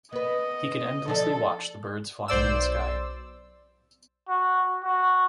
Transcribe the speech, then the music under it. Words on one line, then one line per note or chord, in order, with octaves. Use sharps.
He can endlessly watch the birds flying in the sky.
B3 B4 D#5
F3 D4 A4
B1 C5 D5 E6
F#4
F#4